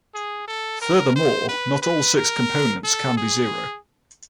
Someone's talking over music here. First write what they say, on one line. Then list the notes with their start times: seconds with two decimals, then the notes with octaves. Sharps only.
Furthermore, not all six components can be zero.
0.14 G#4
0.48 A4
0.82 A#4
1.16 C5
1.49 B4
1.82 B4
2.16 A#4
2.84 A4
3.17 G#4